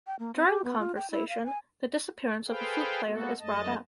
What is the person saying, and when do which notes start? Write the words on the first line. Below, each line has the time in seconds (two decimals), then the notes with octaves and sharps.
During conversation, the disappearance of the flute player is brought up.
0.07 G5
0.19 A#3
0.35 C4
0.48 G4
0.64 B3
0.79 F4
0.96 G5
1.11 E4
1.29 F5
1.46 G#5
2.48 G#4 A4 B4 C5 F5 G5
3.05 G#3 A#3 B3 F#4 A4
3.39 F#2 G#3 A3 D#5 A5